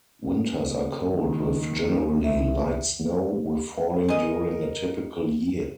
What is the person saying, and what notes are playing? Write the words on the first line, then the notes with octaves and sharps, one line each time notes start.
Winters are cold with generally light snow, with falling during a typical year.
D#2 D#3
C2 E5
G#3 A#4 D#5